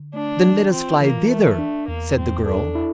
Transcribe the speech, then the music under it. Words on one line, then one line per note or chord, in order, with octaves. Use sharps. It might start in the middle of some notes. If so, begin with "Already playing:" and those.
"Then let us fly thither," said the girl.
Already playing: D3
A3 D4
E3
C4 F4
E3 A#3
A3 A#4
D4
E2 A#3
E2 C4
D4 A4
E4